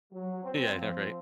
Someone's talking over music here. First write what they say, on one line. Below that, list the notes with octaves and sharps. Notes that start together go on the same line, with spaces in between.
Yeah, I know, right?
F#3
C4
F3